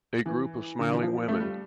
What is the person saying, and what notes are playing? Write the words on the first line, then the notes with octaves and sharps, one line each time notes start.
A group of smiling women.
E3
D3
E3
F3
A3
G3